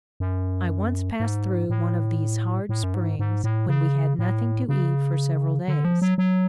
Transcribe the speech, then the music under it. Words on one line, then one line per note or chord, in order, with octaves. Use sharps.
I once passed through one of these hard springs when we had nothing to eat for several days.
F#2
G#2
A2
A2
F#2
G#2
G#2
A2
C#3
A2
C#3
D3
F3
F#3
F#3